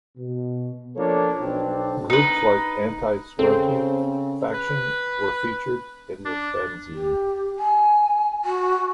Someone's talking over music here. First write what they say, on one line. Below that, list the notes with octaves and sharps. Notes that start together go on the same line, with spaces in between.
Groups like Anti-Scrunti Faction were featured in the fanzine.
B2
F3 A#3 D4 A4 C#5
B1 C4 D4
D#4 B4
C#3 C4 A4
B4
D4
G4
G#5
F#4